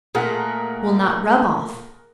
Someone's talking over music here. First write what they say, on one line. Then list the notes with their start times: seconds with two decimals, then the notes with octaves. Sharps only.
Will not rub off.
0.15 A#2 A3 G#4 A#4 F#5